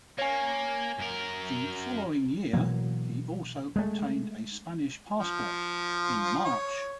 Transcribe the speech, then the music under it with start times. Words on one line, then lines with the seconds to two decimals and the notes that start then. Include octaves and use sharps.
The following year, he also obtained a Spanish passport, in March.
0.19 A#3 C#5 G#5
0.99 F#2 A#4
2.53 B2 E3 F#3 A#3
3.76 G#3 A3
5.17 F3
6.45 C#5